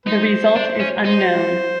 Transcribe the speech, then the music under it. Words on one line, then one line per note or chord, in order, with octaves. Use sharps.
The result is unknown.
D#4 C5
D4
C#4
D#4 C5